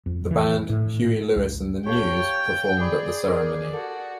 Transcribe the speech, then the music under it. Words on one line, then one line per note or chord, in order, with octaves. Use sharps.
The band Huey Lewis and the News performed at the ceremony.
F2
E3
A2
C#2
G4 A4 C#5 F5 G5
G#4 D5 B5
A#4 B4 D5
F#4 G4 A4